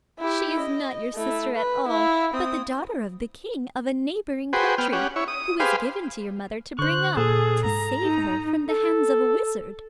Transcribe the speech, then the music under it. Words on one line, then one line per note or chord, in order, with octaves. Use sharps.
She is not your sister at all, but the daughter of the king of a neighbouring country, who was given to your mother to bring up, to save her from the hands of a wizard.'
E4 G4
D#5
A3 E4
B4
E4 F5
C4 D#6
F#4 G#4 B4 C5 G5
B3 G5 F6
C#4 G4 F#5
E4 C#5
D#6
G4 G#4 B4 C5 F5
D3 C5 C#6 F#6
A#2 G#4 A4
G#2 A#5
D#4
A4